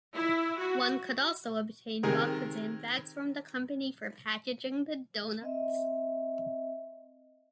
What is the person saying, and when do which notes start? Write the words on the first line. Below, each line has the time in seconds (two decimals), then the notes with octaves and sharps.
One could also obtain boxes and bags from the company for packaging the doughnuts.
0.14 E4
0.57 F#4
2.03 C3 D#3 G#4 A#4
5.41 C4 D#5 E5